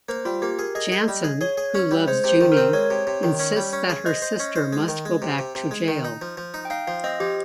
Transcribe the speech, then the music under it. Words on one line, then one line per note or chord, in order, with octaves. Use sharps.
Jansen, who loves June, insists that her sister must go back to jail.
A#3 C5
G3 F4
A#3 G4
G#4 A#4
G#4 D#5
G#4
G3
G#4
G#4 C#5
G#4
C#4
G3
G#3 C5
C3
C5
D#3
C4 A#4
G#3 C#5
C3
C3
D#3
C#4
G3
C#4
G#4
C5 D#5
C5
C#4
C5
G#3
D#3
G#3
C3
C3
C3
G#3
D#3
D#4
F3
F3
D#4
G5
D#4 F5
F3 F5
C4 D#5
F3 G4